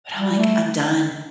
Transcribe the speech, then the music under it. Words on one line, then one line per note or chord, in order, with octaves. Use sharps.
but I'm like, "I'm done.
G3
A3